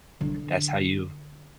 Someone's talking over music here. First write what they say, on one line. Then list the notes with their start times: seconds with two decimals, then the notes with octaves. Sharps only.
that's how you
0.21 D3 E4